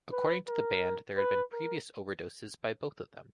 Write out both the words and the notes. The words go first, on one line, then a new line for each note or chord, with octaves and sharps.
According to the band, there had been previous overdoses by both of them.
B4
A#4
B4
A#4